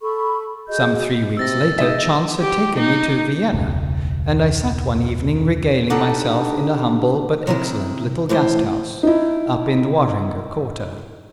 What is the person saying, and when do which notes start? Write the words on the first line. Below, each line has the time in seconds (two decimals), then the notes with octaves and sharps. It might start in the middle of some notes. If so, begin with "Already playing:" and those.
Some three weeks later chance had taken me to Vienna, and I sat one evening regaling myself in a humble but excellent little Gasthaus up in the Wahringer quarter.
0.01 A4 B5 C#6
0.68 F#4 G#4 D#5 G6
1.37 C3 E6 A6 A#6
1.79 G#3 D#4 D#5 E5
2.41 G4
2.76 D#4
3.53 E1 C#2
5.90 D4 D#4 G4 A4 F#5
7.47 C3 D#3 E4
8.29 A2 E3 C5
9.03 D#4 E4